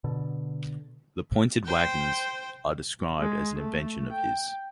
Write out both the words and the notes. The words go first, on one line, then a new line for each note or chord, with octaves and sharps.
The pointed wagons are described as an invention of his.
B2 D3
C5 G5
G#3
A3
G5